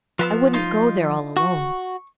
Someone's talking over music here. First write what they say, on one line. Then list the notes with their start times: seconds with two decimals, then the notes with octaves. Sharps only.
"I wouldn't go there all alone."
0.19 F3 B3 B5 E6
0.53 D#4 F4
1.37 F#4 C#6